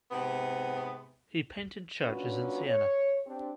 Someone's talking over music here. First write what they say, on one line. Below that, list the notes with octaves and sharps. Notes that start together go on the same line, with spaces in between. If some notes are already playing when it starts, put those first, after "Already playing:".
He painted churches in Siena.
G#2 C3 B3
A#2 F#3 C#4 D4 F#4 B4
C#5
C4 D4 G4